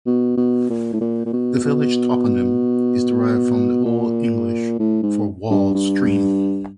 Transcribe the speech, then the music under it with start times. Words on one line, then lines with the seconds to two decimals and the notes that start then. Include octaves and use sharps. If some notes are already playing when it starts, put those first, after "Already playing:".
The village toponym is derived from the Old English for "walled stream".
0.06 B2
0.38 B2
0.70 A#2
0.93 A2
1.01 A#2
1.26 A#2
1.33 B2
1.64 B2
3.86 A#2
4.79 A2
5.03 G#2
5.51 G2
5.75 G2